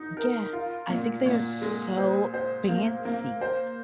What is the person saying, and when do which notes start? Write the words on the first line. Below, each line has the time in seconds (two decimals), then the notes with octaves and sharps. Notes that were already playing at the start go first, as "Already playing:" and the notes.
Yeah. I think they are so fancy.
Already playing: D#4
0.17 A#4
0.53 F4
0.90 A#2
1.26 A#2
1.62 G#3
1.98 C5
2.34 C5
2.69 A#3
3.05 A#3
3.41 C5